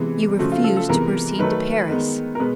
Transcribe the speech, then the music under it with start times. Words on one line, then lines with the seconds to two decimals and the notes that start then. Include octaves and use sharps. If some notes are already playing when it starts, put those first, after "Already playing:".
You refuse to proceed to Paris.
Already playing: C3 E3 G#3 B3
0.39 C#3 F3 A3 F#4
0.52 F4
0.64 A4
0.76 A4
0.89 C3 E3 G#3 B3 A#4
1.39 D#3 F#3 A3 B4
1.89 D#3 G#3 B3
2.35 A#4
2.39 B2 G#3 B3 B4